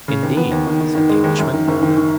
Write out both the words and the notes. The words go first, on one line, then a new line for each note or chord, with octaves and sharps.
"Indeed!" said the Englishman.
C#3
D#2
B3
D#2
D#3
D#3
D#3
G#3
D#2
F#2
D#3
F#1
D#3
D#3